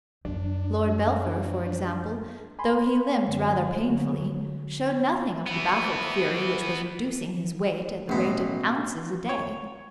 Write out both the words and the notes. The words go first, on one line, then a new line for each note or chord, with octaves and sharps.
Lord Belpher, for example, though he limped rather painfully, showed nothing of the baffled fury which was reducing his weight at the rate of ounces a day.
F#2 D4
G#5 B5 C6
F#2 D3 F#3
D3
E3 B3
A1 B2
C#5